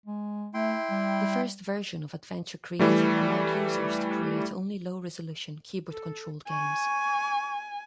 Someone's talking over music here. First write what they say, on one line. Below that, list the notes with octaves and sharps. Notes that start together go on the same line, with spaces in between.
The first version of Adventure Creator allowed users to create only low-resolution, keyboard-controlled games.
G#3
A3 E4 G5 C6
G3
E3 G3 A3
A4
G#5 C#6